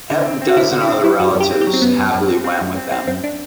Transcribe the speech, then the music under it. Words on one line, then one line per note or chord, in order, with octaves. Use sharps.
Half a dozen other relatives happily went with them.
D3
C4
C4
F#4
D3 E4
D3 F#4
E4
C4 D4
F#3 E4
F#2 F#4
F#2
G4
C4
G4
F#3
C4
F#2 B3
F#2
F#2
C4
C4
F#2
C4
C4
F#2 C4
D4